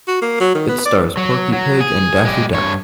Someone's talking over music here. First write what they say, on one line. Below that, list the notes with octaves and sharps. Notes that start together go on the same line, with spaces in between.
It stars Porky Pig and Daffy Duck.
F#4
A#3
F#3
D#3
B3
D5
F#3
F#3
G#4
G#3 G4
G2 C#5